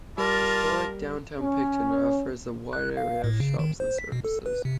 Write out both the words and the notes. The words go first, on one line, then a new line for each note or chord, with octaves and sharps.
Historic downtown Picton offers a wide array of shops and services.
G3 F4 A#4 D5 A5
C#4
F#6
F5
A2
C#3
D#3
C5
B6
B2
A4
B4
C3